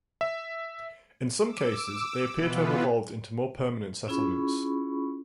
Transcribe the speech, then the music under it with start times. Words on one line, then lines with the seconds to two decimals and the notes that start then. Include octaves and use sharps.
In some cases, they appear to have evolved into more permanent settlements.
0.21 E5
1.41 D6 E6
2.35 B2 E3 B3 F4 B4
4.08 C#4 E4 F4 G#4 B5 C#6